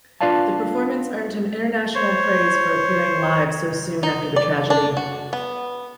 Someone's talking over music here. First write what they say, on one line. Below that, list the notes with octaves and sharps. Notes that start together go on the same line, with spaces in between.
The performance earned him international praise for appearing live so soon after the tragedy.
D4 F4 B4 D5 F5 A5
C5 C#5
D#4
D5
D4
F#4
B3